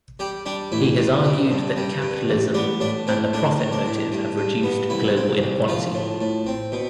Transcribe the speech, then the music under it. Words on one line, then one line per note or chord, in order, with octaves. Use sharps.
He has argued that capitalism and the profit motive have reduced global inequality.
G3 G4
G3 D4
A1 E4
G2
G3
G2
G3
G2
A1
B3 D4
A2 D4
A2 C4
A2 D4
A2
D4
A2
G2
G2
B3
C2 E4
C4
C2
F3 F4
A2
A2
C4
B2